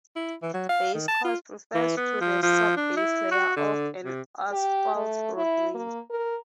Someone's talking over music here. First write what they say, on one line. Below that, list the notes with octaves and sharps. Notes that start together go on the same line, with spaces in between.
"Base course" refers to the sub-base layer of an asphalt roadway.
E4
E3
F#3
F5
D#3
A5
F4
E3
B3
F3
F3
D4
E4
F#4
D3
C3
G4
A3
E4
A#3
A#4